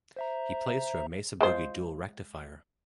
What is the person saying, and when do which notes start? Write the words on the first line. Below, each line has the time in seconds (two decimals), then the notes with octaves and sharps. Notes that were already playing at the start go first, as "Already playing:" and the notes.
He plays through a Mesa boogie Dual Rectifier.
0.16 C5 E5 A#5
1.41 G#3 F4 C5